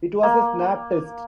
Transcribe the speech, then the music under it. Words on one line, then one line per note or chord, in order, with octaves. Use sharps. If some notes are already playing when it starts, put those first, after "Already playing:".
It was a snap test.
A#3